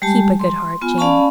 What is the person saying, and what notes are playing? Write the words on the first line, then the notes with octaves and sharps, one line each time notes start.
'Keep a good heart, Jane.
G3 G#3 G4 A5
C6
B3 F4 G#5
C#4 D5 F5 A5 B5 C#6